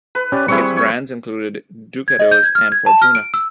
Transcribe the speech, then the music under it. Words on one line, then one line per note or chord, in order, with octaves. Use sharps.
Its brands included Ducados and Fortuna.
B4
C#4 G4 D5
G3 C4 E4 G#4 C#6
C#5
G#6
D#5
G6
G#6
F6
G#6
A5
F6
D7
E6